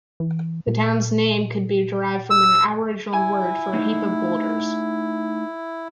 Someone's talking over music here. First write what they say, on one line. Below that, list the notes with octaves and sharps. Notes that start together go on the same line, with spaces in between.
The town's name could be derived from an Aboriginal word for "heap of boulders".
E3
A#2
E6
E4 G#5
A3 D#4